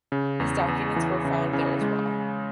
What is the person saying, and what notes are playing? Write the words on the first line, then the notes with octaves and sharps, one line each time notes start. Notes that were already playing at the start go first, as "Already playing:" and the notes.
His documents were found there as well.
C#3
E2
E2
E3
C#3
C#3
G#3